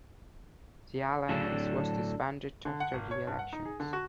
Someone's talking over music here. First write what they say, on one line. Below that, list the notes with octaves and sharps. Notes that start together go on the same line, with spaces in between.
The alliance was disbanded after the elections.
A2 D3 F#3 D4 A4
D3
F#5
G#1
C#5
G2
F#5
D#4
G#4
D3
F#4